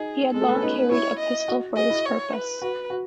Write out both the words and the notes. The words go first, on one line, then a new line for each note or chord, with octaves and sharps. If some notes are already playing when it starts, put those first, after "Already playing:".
He had long carried a pistol for this purpose.
Already playing: D#4 G#4
G#3 A4
A3
B3
C#4
D#4 B4
E4 C#5
D#5
F#4
G#4 D#5
E4
C#5
B4
F#4 B4
F#4